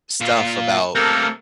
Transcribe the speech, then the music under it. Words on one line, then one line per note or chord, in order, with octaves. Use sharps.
stuff about
A#2 F4
C3 A3 A#3 A4 A#4